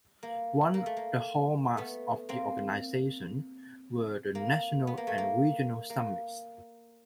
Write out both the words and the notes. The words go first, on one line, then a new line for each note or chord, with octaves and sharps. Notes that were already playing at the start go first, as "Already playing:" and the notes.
One the hallmarks of the organization were the national and regional summits.
A#3
A#3
A3
A#3
A3 B3
A#3 C4
A#3
B3
A#3
A3
A#3
A#3